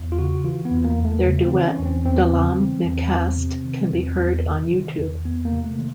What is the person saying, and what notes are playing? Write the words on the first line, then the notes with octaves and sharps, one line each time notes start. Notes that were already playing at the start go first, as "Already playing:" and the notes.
Their duet "Delam Mikhast" can be heard on YouTube.
Already playing: E2
F4
C#3 F#4
E3 F4
B3
E2
A#3
E2
A3
C#3
C4
E3
C#4
E2
C4
E2 C4
C#3
E3
E2
E2
C3
D#3
E2
E2
C3
D#3
E2
E2 B3
A#3
C3
A3
D#3